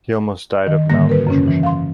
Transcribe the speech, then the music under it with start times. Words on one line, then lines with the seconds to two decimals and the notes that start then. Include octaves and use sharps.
He almost died of malnutrition.
0.67 D#3
0.90 G#2 D3 D#3 G3 A#3 A#6
1.09 A#4 B4
1.27 F#2 C#3 C#4
1.48 E3
1.63 F5 C6